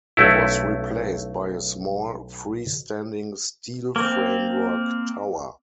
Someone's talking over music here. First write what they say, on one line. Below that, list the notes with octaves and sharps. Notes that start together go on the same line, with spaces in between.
It was replaced by a small freestanding steel framework tower.
B1 A3 C#4 E4
A#3 C4